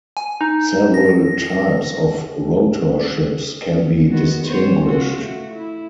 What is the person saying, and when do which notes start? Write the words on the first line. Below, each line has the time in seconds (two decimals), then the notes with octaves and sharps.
Several types of rotor ships can be distinguished.
0.17 G#5
0.41 D#4
0.94 A#6
3.74 C#4
4.10 D#3 B3 F#4
4.43 B3 C5 C#5
4.84 C#4 F4 F#4
5.18 A3 F#4
5.51 E4